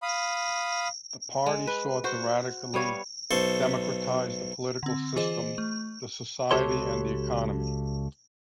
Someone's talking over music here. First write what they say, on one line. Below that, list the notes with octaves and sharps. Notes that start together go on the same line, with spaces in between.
The party sought to radically democratize the political system, the society and the economy.
F5 B5 D#6
G#3
B4
F#4 C5
G3 B3 C#5 F5
B1 A4 C5 C#6
D3 C4
E3 F4 G#4 C5 D#5
A3
C#2 F#4 G4 A4 C#5 C6